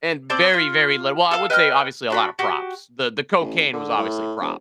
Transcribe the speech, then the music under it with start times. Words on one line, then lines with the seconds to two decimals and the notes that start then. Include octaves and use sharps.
and very, very little well, I would say obviously a lot of props. The the cocaine was obviously prop.
0.30 C4 C5 D5 A5
0.54 F4
1.31 A4 F5
1.50 B4 D#5 G5 F6
2.10 D4 F#4 B5
2.39 F#4 G4
3.41 A1
3.73 D3
3.97 A2
4.40 E1